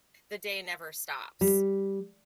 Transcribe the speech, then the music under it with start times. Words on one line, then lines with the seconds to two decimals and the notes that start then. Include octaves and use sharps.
the day never stops.
1.41 G3